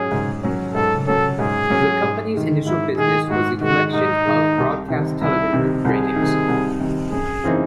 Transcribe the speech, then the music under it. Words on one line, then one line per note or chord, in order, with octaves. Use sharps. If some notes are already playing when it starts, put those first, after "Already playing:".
The company's initial business was the collection of broadcast television ratings.
Already playing: G#2 F#3 C#4 G#4
G#2
F#3 C#4
G#2 A4
F#3 C#4 A4
G#2 G#4
F#3 C#4
G#2
D#3 G#3
G#2 E4
D#3 G#3 G#4
G#2 F#4
D#3 G#3 F#4
G#2 D#4
D#3 G#3
C2
C3 D#3
C2 E4
C3 D#3
C2 G#4
C3 D#3
C2
C3 D#3
F#2 G#4
C#3 E3 C4 D#4